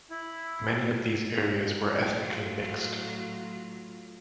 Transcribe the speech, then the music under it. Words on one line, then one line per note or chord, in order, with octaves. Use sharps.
Many of these areas were ethnically mixed.
E4
A2 F#3 F4